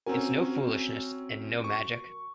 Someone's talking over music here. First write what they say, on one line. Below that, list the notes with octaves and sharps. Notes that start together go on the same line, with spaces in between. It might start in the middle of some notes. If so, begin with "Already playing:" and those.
It's no foolishness, and no magic.
C4 C#4 F#4 A#4 G#5
C#6